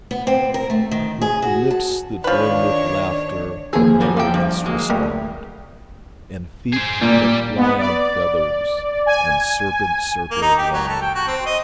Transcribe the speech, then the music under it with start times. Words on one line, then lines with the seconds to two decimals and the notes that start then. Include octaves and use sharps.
With lips that brim with laughter But never once respond, And feet that fly on feathers, And serpent-circled wand.
0.11 B3
0.27 C4
0.54 A#4
0.70 A3
0.91 D#3
1.22 G#4
1.42 F#4
1.71 A5
2.24 D#3 F3 D4 B4 C#5
3.73 D#2 F3 G#4 A4
4.00 A#2 F#3 G3
4.17 A#3 E5 G5
4.34 G2
4.65 F#3 G#3 A#3
4.90 G3 A3 A#4
6.73 G#4 C5
7.01 A#2 G3
7.58 B3
7.78 D5
9.06 G#5
10.31 A#3
10.42 D#4
10.58 G4
10.73 F#3
10.88 A4
11.02 G5
11.15 F#4
11.27 C4
11.46 D#5